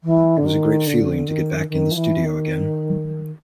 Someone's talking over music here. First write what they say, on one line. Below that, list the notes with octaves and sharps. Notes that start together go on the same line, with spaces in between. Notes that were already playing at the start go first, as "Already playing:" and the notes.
It was a great feeling to get back in the studio again.
E3
D3
D#3
D3
D#3
D#3
F3
E3
D#3